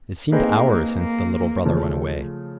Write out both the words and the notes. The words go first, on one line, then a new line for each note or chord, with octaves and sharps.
It seemed hours since the little brother went away.
A#3 C4 D#4 G#4 B4 D#5
A#3
C#3 F3 A3